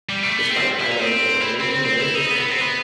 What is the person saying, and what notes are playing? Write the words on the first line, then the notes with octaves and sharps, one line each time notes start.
Despite high levels of evaporation, the lake is fresh water.
G3
A3
B3
C4
E4
D#4
C4
E4
C4
C4
C4
E4
D#4
B3
B3
C4
B3